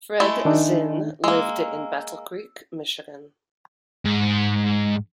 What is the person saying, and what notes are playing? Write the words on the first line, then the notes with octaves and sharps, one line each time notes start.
Fred Zinn lived in Battle Creek, Michigan.
G#3 A3 E4
D#3 D4 D#4
G#3 A#3 E6
G#2